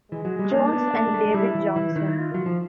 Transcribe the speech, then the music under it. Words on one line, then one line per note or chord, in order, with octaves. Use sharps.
Jones and David Johnson.
E3 G#3
F#3
G3
A#3 D4
B3
A#3
G#3
A3
G#3
G3 E4
E3
E3
D#3
F4
F#3
F3